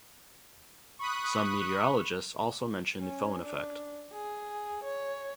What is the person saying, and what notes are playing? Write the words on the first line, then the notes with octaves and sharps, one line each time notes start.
Some meteorologists also mention the foehn effect.
B5 C#6 D#6 F#6
C#4
D4
G#4
C#5